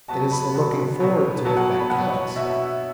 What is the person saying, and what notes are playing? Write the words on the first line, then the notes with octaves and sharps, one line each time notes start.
It is the looking forward to it that counts.
B2 F#3 B3 F#4 A5
B5
B2 F#3 B3 F#4
B2 F#3 B3 F#4
B2 F#3 B3 F#4 A5
F#5
A5
B5
B2 B3 F#4 F#5
C#5
B2 B3 F#4 E5